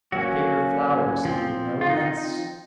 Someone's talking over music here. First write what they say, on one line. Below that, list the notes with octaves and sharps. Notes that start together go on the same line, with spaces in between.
The paper flowers did no less.
F#3 A#3 C#4 F#4
F3 C4
F4
D#4
D#4